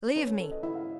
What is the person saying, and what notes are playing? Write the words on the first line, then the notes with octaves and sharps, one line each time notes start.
Leave me!
C#4 B4 C#5
A4
D#5
E4 E5
F5